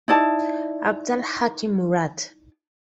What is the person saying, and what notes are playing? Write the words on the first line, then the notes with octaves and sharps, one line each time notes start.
Abdal Hakim Murad.
D#4 E4 D5 A5